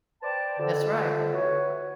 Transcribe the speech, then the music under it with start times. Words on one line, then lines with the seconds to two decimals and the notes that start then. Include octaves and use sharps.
That's right.
0.23 B4 C5 D5 G5 A5
0.59 F2 D3
1.33 E4 F#4 B4 C#5